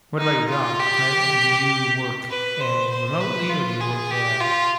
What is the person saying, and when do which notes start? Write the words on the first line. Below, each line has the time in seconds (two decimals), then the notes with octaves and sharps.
what about your job, uh, and do you work, eh, remotely or do you work at
0.19 D#4
0.49 F4
0.79 G4
2.30 B4
2.60 C5
2.90 C5
3.21 B4
3.50 F4
3.80 G#4
4.11 G4
4.41 F4